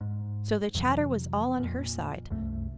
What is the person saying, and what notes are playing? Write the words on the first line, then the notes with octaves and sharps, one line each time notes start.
So the chatter was all on her side.
G#2
F2 C3 E3 F#3
F2 A#2
C2 F#2 A3